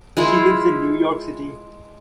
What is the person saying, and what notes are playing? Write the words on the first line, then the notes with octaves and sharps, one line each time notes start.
She lives in New York City.
G#3 E4 F4